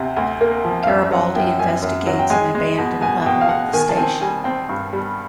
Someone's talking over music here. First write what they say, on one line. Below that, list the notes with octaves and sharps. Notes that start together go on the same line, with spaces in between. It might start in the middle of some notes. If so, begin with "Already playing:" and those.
Garibaldi investigates an abandoned level of the station.
Already playing: D2 C3
D2
A#3
F3
F5
F#2 E5
F#3 F#5
F#2 G5
F#2 G#5
F#2
F#3
G5
G#3 G#5
G#3
B2
B2 G#5
B2 G5
F5
B2 F#5
D#3 G#5
A5
C4 G#5
G3 G#5
C4 G5
G2
G3